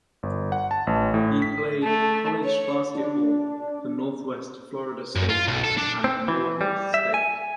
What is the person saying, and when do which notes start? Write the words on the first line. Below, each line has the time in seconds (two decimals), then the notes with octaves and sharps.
He played college basketball for Northwest Florida State and Morehead State.
0.23 G1
0.52 F#5
0.71 A5
0.87 A1
1.14 A2
1.42 B6
1.83 A3
2.44 C#5
2.95 D4
5.15 F#2
5.29 F4
5.47 B1
5.64 A4
5.77 D4
6.04 C4
6.28 E3
6.61 G3
6.94 E5
7.14 G#5